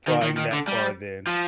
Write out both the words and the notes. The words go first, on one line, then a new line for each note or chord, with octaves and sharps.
flying that far then.
D#3
D#3
D#3
D3
G3
F3